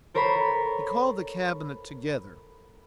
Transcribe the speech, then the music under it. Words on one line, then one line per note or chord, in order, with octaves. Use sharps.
He called the Cabinet together.
A4 A#4 C5 C#5 A#5 B5